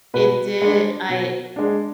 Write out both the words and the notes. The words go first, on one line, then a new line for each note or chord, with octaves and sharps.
it did I
B2 B4
G#3 D4
B2
G#3 D4